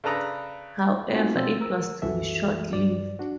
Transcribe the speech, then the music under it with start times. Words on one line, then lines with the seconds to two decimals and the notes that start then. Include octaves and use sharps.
However, it was to be short-lived.
0.04 C#3 D4 A4 B4 A#5 D#6
1.12 A#3 C4 D#4 F4 F#4 G#5
1.35 B2 F3 C4 E6 A6
1.61 A#4 E6
2.02 C2 F#2 E3 F#4 A4 E5
2.73 G2 D5
3.19 D4 F#4